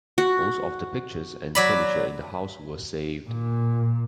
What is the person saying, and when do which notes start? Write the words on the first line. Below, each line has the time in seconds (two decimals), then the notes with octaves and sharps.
Most of the pictures and furniture in the house were saved.
0.18 F#4
1.55 F#3 D5 B5
3.28 A#2